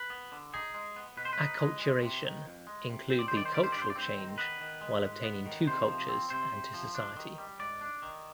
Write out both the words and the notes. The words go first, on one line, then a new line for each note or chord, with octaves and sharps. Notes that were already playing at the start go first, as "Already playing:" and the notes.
Acculturation include the cultural change while obtaining two cultures and to society.
Already playing: B4
B3
D3
D#4 G#4
G#3
B3
B2 B4
C5
B4
D#4
G#3
G#3
C3
D#3
F2
G#3
C3
C4 C5
D5
D#3 C5
D5
C5
G3 D5
C5
G2 D5
C5
D5
C4 C5
D#3
B3 B4
D#3
G#3
G#2
B3
D#3
C3 C5
F3
C4
C3 C5
C3
F3
D4
D#3
G3
G#2 D5
D4
D#3